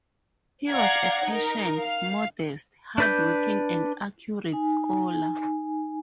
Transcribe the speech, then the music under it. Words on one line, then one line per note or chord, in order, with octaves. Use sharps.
He was a patient, modest, hard-working and accurate scholar.
D5 F5 F#5 A#5 G#6
D#4 A#4
F5
D4 B4 G6
D#4 G#5